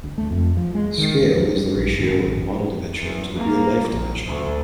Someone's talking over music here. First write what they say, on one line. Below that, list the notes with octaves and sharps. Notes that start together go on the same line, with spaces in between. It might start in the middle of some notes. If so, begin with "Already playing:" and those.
Scale is the ratio of a model dimension to the real life dimension.
D2
A3
F2
F3
G#3
D#3
D2
F3
G3
A#1
G#1
A1
E2
A#3
A#1
D2